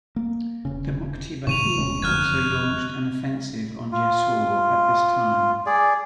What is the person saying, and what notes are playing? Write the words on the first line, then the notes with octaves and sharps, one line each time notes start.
The Mukti Bahini also launched an offensive on Jessore at this time.
A#3
E1 C#3
G#2 C3 D#3 C#6 D#7 F7
D#1 G#3 C#4
F#1 F2 D3 F6 F#6 G#6
F4
G#4 D5